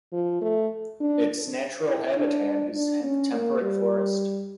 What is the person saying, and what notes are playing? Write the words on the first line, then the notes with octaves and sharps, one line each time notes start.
Its natural habitat is temperate forest.
F3
A3
D4
E4
D4
D4
C#4
A#3
G3